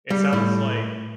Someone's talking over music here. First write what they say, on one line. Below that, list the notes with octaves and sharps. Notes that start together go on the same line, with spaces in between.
it sounds like
G3
A2